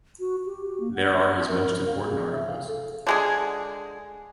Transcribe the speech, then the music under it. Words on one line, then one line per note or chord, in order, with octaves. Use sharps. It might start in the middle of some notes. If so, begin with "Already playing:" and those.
There are his most important articles.
F#4
G4
G4
A#3
F#5
A#4
F5
G#4
E5
F5
A4
D3 G#3 G#4